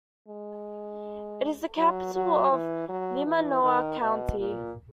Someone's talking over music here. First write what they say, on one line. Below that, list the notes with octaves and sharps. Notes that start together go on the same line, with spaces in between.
It is the capital of Limanowa County.
G#3
F#3
F#3
E3
F#3
E3
D#3
B2
A#2